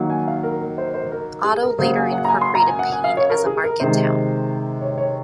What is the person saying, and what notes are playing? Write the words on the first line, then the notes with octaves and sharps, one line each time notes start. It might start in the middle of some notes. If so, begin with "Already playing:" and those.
Otto later incorporated Peine as a market town.
Already playing: D#3 F#3 A#3
G#5
F5
A#4
A#4
C5
C5
A#4
G#4
A#4
C#3 F#3 A#3 C5
G#5
F#5
A#5
G#5
C6
A#5
G#5
F#5
G#5
F5
C#5
A#4
G#4
A#4
C3 D#3 G#3 C5
C#5
C#5